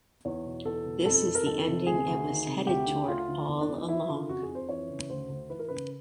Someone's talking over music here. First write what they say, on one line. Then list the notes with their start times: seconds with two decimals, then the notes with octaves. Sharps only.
This is the ending it was headed toward all along.
0.25 E2 C#5
0.46 B2
0.65 E2 A4
0.86 B2
1.05 F2 A4
1.26 F2
1.35 A#4
1.46 D#3 A4
1.67 C3
1.87 D2 G#4
2.07 D2
2.27 D#3
2.47 C3
2.67 D2 G4
2.87 D3
3.08 D2 F4
3.28 D3
3.48 E2
3.61 D4
3.68 E2
3.75 D#4
3.88 E3 E4
4.08 C#3 F4
4.29 F2 F#4
4.43 G#4
4.48 F2
4.55 C5
4.69 E3 C#5
4.90 C#3
5.10 D2 C5
5.29 D2
5.50 E3 B4
5.59 A#4
5.68 C#3 B4